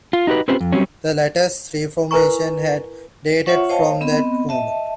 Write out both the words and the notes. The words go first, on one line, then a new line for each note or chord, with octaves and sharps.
The latter's reformation had dated from that moment.
F4
D#4 F#4 G4 B4
C4 C#4 F4 G4 B4 C5
F2
F#3 G3 C4 C#4
E4 A#4 B4 G#5 A#5 C#6
F4 C#5 E5 F#5 C#6
C5 C#5 D#5 F5 G5 A5
B3 C4 D#5 B5
D#5 E5 A5